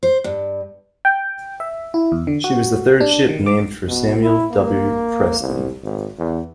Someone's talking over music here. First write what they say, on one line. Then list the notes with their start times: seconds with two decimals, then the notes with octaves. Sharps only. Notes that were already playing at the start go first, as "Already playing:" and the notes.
She was the third ship named for Samuel W. Preston.
0.03 C5
0.24 G2
1.05 G5
1.60 E5
1.94 E4
2.12 E2
2.27 D3
2.44 F#4
3.01 D4
3.29 D#3
3.46 D6
3.88 B2
4.23 E4
4.51 A#3
5.40 C2
5.83 G#1
6.19 E2